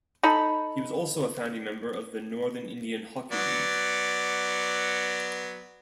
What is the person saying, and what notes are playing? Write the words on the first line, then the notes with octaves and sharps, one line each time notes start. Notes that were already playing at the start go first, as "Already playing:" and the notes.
He was also a founding member of the Northern Indian Hockey League.
D#4 A4 B5
F#3 B3 D5